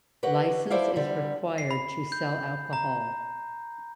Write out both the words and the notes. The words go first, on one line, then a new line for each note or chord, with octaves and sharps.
Licence is required to sell alcohol.
G4 B4 C#5 D#5 F#5
E4 A4 C5 D5 E5 F5
D3 G3
C7
B5
G6
A#5